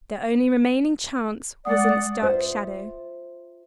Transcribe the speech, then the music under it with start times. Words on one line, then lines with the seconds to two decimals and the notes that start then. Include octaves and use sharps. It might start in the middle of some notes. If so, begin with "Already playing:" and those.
Their only remaining chance was in its dark shadow.
1.65 G#3 D5 F#5 D#6
2.22 F4 C5 E5